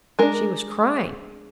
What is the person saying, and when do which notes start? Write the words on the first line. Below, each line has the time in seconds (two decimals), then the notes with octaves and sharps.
"She was crying!"
0.19 G#3 D4 A#4